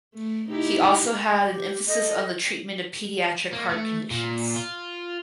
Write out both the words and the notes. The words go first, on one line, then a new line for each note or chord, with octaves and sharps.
He also had an emphasis on the treatment of pediatric heart conditions.
A3
D#4 E4 G4
G4
A4 D#5
A#3
A3
A#2
F4